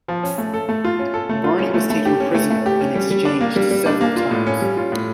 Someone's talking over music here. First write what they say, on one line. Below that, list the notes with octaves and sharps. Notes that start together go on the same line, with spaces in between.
Barney was taken prisoner and exchanged several times.
F3
C#4
A3
A4
A3
F4
C#4
A4
A3
F4
C#4
A3
A3
G4
C#4
A3
A3
G4
C#4
G3
G3
D4
A#3
G3
G3
D4
A#3
F4
A2
C#4
G3
F4
A2